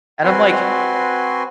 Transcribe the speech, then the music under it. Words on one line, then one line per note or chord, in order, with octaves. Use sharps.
and I'm like,
C4 F#4 B4 G#5 C6